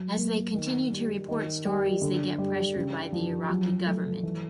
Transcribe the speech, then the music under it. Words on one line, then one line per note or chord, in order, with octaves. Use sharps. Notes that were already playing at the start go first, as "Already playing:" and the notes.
As they continue to report stories, they get pressured by the Iraqi government.
Already playing: F#3
A#3
D#3
G3
D#3
G3
D3
G3
C#3
F3
F#3
A3
E3